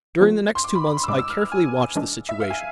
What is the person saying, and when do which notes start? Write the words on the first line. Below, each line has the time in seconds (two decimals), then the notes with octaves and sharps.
During the next two months I carefully watched the situation.
0.21 F3 B3 D4 F4 A4
0.55 C6
0.64 D6
0.75 B5
0.87 B5
0.97 C6
1.04 E6
1.08 A2 G#3 D4 D6
1.19 E6
1.30 F6
1.41 F6
1.52 G#5
1.96 E3 G#3 D4
2.29 E5
2.40 F5
2.50 G#5